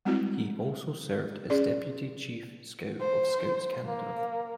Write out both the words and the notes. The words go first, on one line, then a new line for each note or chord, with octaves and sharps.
He also served as deputy Chief Scout of Scouts Canada.
G3 G#3 C4 E4 F#4
C#4 G#4 D5
C5
A#3